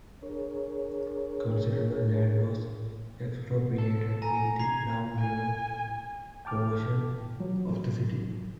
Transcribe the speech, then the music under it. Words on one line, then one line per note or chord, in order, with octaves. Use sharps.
Considerable land was expropriated in the downriver portion of the city.
D4 G#4 A#4 C#5
A4
G#5 A#5
A#5 G#6 C7
G#5
G5 A5 D6 F6
F3 F#3